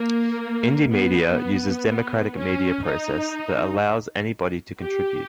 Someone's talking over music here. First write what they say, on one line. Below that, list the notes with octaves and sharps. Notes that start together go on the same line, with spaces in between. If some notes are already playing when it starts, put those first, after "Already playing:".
Indymedia uses democratic media process that allows anybody to contribute.
Already playing: A#3
B3
B3
C#4
D#4
G4